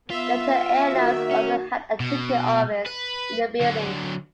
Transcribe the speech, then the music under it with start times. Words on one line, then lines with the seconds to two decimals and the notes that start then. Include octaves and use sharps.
Delta Air Lines also had a ticket office in the building.
0.10 B3 F4 E5
0.93 D#3 A#3 F#4
1.31 C#4
2.00 B2
2.86 B4
3.61 D3 F#3